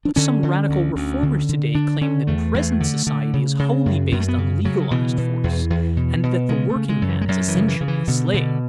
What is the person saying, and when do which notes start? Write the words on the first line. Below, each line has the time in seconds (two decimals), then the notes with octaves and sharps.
But some radical reformers to-day claim that present society is wholly based on legalized force, and that the workingman is essentially a slave.
0.05 D4
0.16 D3 C#4
0.43 D3
0.69 D2
0.96 D2
1.23 D3
1.49 D3
1.75 D3 D4
2.01 D3 C#4
2.27 E2 A3
2.54 E2
2.80 D3
3.07 D3
3.33 C#3
3.59 C#3
3.86 F#2
4.12 F#2 B3
4.20 A3
4.28 B3
4.38 C#3
4.65 C#3 F#3
4.91 B2 E3
5.18 B2
5.44 E2
5.70 E2
5.97 B2
6.23 B2
6.49 C#3 G#3
6.69 A3
6.76 C#3
6.89 G#3
7.02 F#2
7.09 E3
7.21 G#3
7.28 F#2 F#3
7.48 E3
7.55 C#3
7.68 E3
7.81 C#3
7.88 E3
8.08 B2 D3
8.34 B2 D3